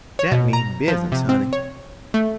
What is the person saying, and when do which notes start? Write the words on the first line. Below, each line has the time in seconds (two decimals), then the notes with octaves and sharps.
Dat mean business, honey.
0.19 C#5
0.32 B2
0.53 A#5
0.88 F3
1.12 C3
1.29 C4
1.53 C#5
2.14 A3